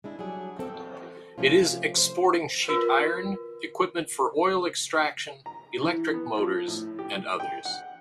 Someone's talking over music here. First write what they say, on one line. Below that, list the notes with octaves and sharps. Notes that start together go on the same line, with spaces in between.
It is exporting sheet iron, equipment for oil extraction, electric motors and others.
G#3 D4 E4
F#3 G3 D4 G#4
C4 A4
C3 F3 A3 C#4 F4
C5
F4 F#4 A#4 B4
A#5
E3
B3
F3
A2
G4
G5
F#5